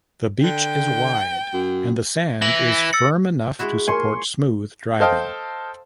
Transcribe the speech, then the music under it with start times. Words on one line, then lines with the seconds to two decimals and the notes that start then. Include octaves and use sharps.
The beach is wide and the sand is firm enough to support smooth driving.
0.43 D3 G5
1.54 F#2
2.42 E3 E4 A#6 F#7
2.93 E6 A6 C#7
3.59 G#3 E4 F#4
3.87 A#4 G#5 C6 C#6
5.00 A4 C5 D#5 F5 G5